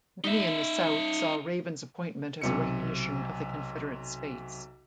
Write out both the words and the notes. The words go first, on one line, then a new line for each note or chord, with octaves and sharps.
Many in the south saw Raven's appointment as a recognition of the Confederate States.
D#4 E5
B1 C3 C#7